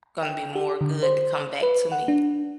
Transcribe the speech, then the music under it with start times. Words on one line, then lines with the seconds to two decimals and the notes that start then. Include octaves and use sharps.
gonna be more good that come back to me.
0.23 G5
0.55 G4
0.81 D3
1.03 C5
1.63 B4
1.92 F#5
2.08 D4